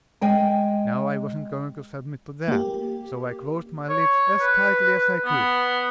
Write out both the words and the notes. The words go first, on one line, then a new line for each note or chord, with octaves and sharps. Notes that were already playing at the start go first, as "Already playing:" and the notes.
Now I wasn't going to submit to that, so I closed my lips as tightly as I could.
G#3 G5 G#5
A#3 G4
C#5
B4
B3